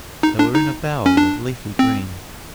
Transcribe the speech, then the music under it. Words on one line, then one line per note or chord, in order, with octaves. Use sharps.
They were in a bower of leafy green.
D#4
D4
D#4
C#4
D4
C4